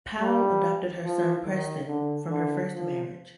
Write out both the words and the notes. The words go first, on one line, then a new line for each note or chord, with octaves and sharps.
Powell adopted her son Preston, from her first marriage.
G3
F3
D#3
D3
D3
F3